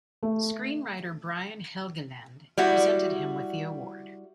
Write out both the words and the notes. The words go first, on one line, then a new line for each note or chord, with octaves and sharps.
Screenwriter Brian Helgeland presented him with the Award.
A3
G3 E4 F#4